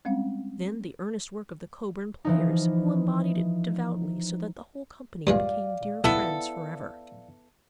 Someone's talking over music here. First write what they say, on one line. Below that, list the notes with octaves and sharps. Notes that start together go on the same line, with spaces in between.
Then the earnest work of the Coburn Players who embodied it devoutly, so that the whole company became dear friends forever.
G3 G#3 C4 C#4 F5
E3 F3 D#4
G2 F3 G#3 D5 F5
B1 B3 E4 A4